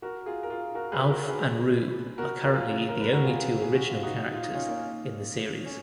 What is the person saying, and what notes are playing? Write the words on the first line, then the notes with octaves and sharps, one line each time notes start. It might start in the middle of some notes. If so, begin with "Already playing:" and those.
Alf and Roo are currently the only two original characters in the series.
F#4 A#4
F4 G#4
A#4
F4 G#4
F#4 A#4
G#4 B4
F#4 A#4
G#4 B4
F#4 A#4
A#4
F4 G#4
A#4
B4
F#4 A#4
F4 G#4
G#4
F#4
F4
D#4 F#4
F4
D#4
C#4 F4
A#3 C#4
C#4